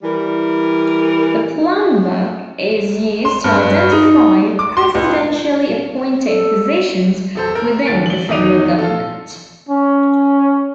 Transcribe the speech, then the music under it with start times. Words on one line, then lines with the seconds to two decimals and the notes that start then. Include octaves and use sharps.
The Plum Book is used to identify presidentially appointed positions within the federal government.
0.03 E3 G3 A#4
3.25 C6
3.44 G2
3.92 D#4
4.59 D6
4.77 C6
4.95 C#2
6.26 A4
7.35 E1 A4 C5
7.55 A#4
7.86 D#2 A6 D7
8.06 F#7 G7
8.29 E2 D#3 D#4 D6 D#7 F7
8.78 F4 A4
9.69 C#4